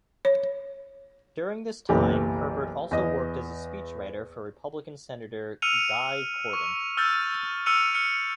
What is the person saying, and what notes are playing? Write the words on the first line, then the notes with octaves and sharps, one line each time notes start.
During this time Herbert also worked as a speechwriter for Republican senator Guy Cordon.
C#5
F#1 B1 E3 G4
E2 D#5
E6 F6 C#7 D#7 F7
C#6
E6 F6 G6 A6
E6 F6 C#7 D#7 F7
F6 C#7